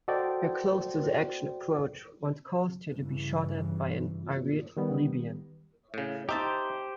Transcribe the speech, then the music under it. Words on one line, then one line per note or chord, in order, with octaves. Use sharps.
Her close-to-the-action approach once caused her to be shot at by an "irate Libyan".
F#4 A4 C5 D5 D#5 G5
G2 C#3 E3
D#3 G3 B3
A2 C#3
D#4 G4 C5 E5 A5